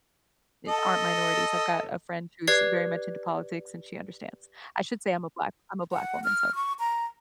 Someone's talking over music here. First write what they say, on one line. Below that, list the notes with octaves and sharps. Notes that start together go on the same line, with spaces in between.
e aren't minorities, I've got a friend who's very much into politics, and she understands. I should say I'm a black I'm a black woman, so
A4 D#5
G4 B4 D5 G#6 C7
F#5
F6
C#6
A#5